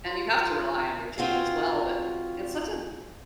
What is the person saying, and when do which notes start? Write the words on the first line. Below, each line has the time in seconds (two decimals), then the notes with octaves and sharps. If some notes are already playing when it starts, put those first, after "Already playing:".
And you have to rely on your team as well. But, in such a
0.06 F4
1.18 C4 F4 F#4 G#4